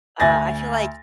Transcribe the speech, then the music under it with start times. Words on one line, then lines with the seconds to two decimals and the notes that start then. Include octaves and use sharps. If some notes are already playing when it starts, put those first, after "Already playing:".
uh, I feel like,
0.20 D2 G#5 A6 A#6